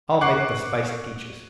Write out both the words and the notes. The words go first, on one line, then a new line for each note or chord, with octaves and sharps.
I'll make the spiced peaches!
F#5 C#6 D6 F#6 C7